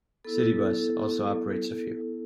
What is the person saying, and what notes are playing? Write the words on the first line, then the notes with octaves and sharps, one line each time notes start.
Citybus also operates a few.
B3 E4 A4